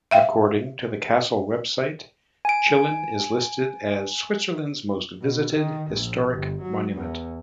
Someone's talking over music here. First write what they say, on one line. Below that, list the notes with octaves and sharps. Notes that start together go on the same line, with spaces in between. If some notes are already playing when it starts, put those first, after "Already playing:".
According to the castle website, Chillon is listed as "Switzerland's most visited historic monument".
E5 F5 G5
G#5 D7
B2
D#3
A#1
G1
F#3
E2